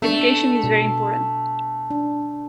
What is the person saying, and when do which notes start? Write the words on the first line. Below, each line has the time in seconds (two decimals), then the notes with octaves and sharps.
Education is very important.
0.02 A3 B3 D4
0.64 B2
1.90 D4